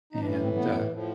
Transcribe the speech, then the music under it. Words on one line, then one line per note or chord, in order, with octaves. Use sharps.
and, uh,
D#4
A2 E3 D4
C#4
C4
B3
A2 F3